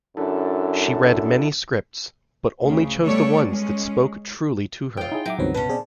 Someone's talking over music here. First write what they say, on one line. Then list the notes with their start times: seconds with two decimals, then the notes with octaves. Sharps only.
She read many scripts, but only chose the ones that spoke truly to her.
0.17 F#2 D4 E4 A4
2.63 D2 C#3
3.04 G3 A3 B3 A4 C#5 D5
3.49 G#3 C#4
4.97 F4 C#5 G5
5.12 D#4 E4 G#4
5.26 F#3 E5 G5 D6
5.39 C#2 G2 D#3 B3 C4 F#4 C#5
5.54 B2 C#4 B4 A5
5.69 C4 G#4 C5 D5